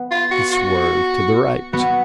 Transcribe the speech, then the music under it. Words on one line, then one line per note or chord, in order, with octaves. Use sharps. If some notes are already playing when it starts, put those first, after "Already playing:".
He swerved to the right.
Already playing: B3
F4
F#4
F#4
B3 F#4